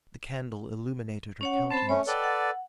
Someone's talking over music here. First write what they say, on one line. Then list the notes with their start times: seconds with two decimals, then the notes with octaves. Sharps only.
The candle illuminated her countenance.
1.41 C#4 C#5 F#5
1.71 C4 C5 A5 B5
1.89 A3 C#4 C#5
2.07 A4 B4 D5 D#5 F#5 G5
2.24 F#5